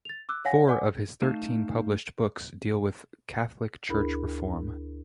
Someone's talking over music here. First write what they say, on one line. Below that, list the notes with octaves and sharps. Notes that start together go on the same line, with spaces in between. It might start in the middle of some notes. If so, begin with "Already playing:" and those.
Four of his thirteen published books deal with Catholic Church reform.
A6 F7
D6 E6 F#6
C#5 F5 F#5 G#5 A#6
D5 F#5 G#5 D6
A3 D#4 F5 A5
D2 D4 E4 G#4 A#4 B5